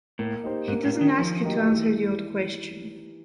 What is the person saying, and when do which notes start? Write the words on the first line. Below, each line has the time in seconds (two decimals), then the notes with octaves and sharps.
He doesn't ask you to answer the old question.
0.19 A2 A#3
0.44 D#4 G4 C5
0.68 G#2 A#3
0.85 A2
0.93 D4 F4 A#4
1.01 D#3
1.18 D#3 F3
1.43 F#3 A#3 D#4 G4
1.68 E3